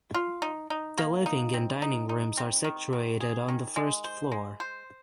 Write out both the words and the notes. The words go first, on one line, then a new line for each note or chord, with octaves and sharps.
The living and dining rooms are situated on the first floor.
F4
D#4
D#4
A#3
D#4
C4
D#4
D#4
C4
D#3
D#3
G#4
D#3
G#3
C5
G#3
C5